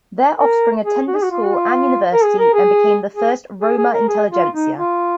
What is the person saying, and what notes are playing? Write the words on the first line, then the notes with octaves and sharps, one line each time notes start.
Their offspring attended school and university and became the first Roma-intelligentsia.
A#4
G#4
F#4
G#4
F#4
F4
F#4
F4
A#4
G#4
A#4
G#4
G#4
G#4
G#4
A#4
G#4
F4
D#4
F4